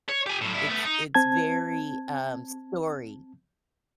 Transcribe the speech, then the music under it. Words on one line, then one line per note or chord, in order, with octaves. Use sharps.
It's it's very, um, story.
C#5
G4 G#5
A2 F#3
G2 E4
A3 B3
D#4
C4 A5 G#6